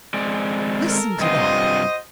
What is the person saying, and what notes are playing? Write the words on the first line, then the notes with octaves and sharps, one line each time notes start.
Listen to that!
G#3 C4 D5
A4 A#4
G2 C3 F4 F#4 C5 D#5